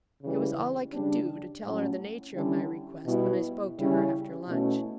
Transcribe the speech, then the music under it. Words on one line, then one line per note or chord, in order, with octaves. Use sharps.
It was all I could do to tell her the nature of my request, when I spoke to her after lunch.
C#3 E3 G3
C#3 G3 D4
A2 F#3 C#4 E4
D3 G3 C#4 E4
B2 G3 B3 E4
C#3 G3 C#4 E4
B2 A3 C#4 E4